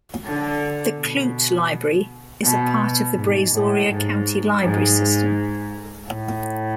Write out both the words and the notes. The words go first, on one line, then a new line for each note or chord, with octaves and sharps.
The Clute Library is a part of the Brazoria County Library System.
D3
B2
B2
G#2
A2
G#2
G#2
A2